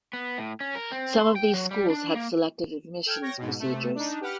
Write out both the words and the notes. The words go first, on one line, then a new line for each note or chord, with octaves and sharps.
Some of these schools had selective admissions procedures.
B3
A2
C#4
A#4
C4
C6
G5
F#3
G3
D4
A#3
A4 G5 F6 G#6
C#5 G5 A#6
G#2 B2
C3 A3
D4 D#4
G4 B4 F#5 F6